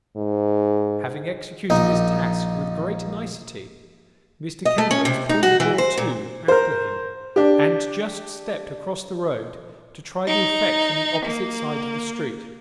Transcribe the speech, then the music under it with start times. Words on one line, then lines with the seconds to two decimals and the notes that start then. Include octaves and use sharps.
Having executed this task with great nicety, Mr Kenwigs pulled the door to, after him, and just stepped across the road to try the effect from the opposite side of the street.
0.16 G#2
1.70 A#1 D#4
4.65 D#5
4.78 A3
4.91 C#4
5.05 C3
5.29 D#4
5.43 F#4
5.60 E3
5.78 C5
5.97 A#2
6.48 A#4 C5
7.36 D4 G4
10.27 D#4
11.25 A#3